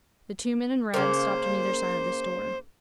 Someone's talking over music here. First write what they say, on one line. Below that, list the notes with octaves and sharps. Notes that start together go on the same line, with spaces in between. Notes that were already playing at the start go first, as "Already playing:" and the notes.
The two men in red stopped on either side of this door.
C#3 A#3 C5